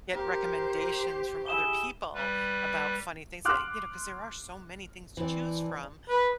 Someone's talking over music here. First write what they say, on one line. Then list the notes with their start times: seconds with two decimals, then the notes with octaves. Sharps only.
get recommendations from other people about funny things that you know, 'cause there are so many things to choose from
0.13 G4 A#4 C5
1.46 E4 G#4 E7 G7
2.14 G3 B4
3.45 C6 D6 F6 F#6
5.17 E3 C4 D4
6.08 B4